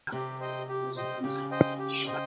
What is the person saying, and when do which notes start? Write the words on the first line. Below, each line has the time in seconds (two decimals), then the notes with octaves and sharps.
Scott initially committed to play college baseball at Arizona.
0.12 C3 G4
0.40 C5 D#5 G5
0.68 G4
0.96 C5 D#5 G5
1.23 C#3 G4
1.51 C5 D#5 G5
1.79 G4
2.07 C5 D#5 G5